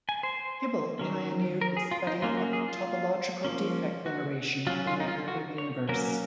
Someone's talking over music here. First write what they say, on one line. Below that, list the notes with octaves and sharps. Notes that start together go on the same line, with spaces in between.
Kibble pioneered the study of topological defect generation in the early universe.
G#5
C5
D#3 F#3 C#4
A#4
G#4
F4
D#4
F#3 A#3 C#4 F4
F#4
G#4
F4
F3 A#3 C#4
F#4
F#3 C#4 F4
F4
D#4
F4
F#4
C#5
F#3 A#3 C#4 A#4